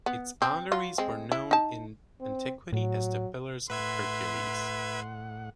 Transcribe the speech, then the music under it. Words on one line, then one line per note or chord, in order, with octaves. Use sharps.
Its boundaries were known in antiquity as the Pillars of Hercules.
B3
C4
F#3 F4
G#3 C4
E4
D#4 A5
C4
A2 F#3
A2 B4 E5 F#5 C6 G#6